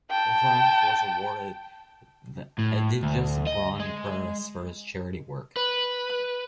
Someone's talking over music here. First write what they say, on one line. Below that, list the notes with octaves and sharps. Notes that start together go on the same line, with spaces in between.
Overath was awarded the Egidius-Braun-Preis for his charity work.
G5 A5
A2
D2
D#5
G#3
B4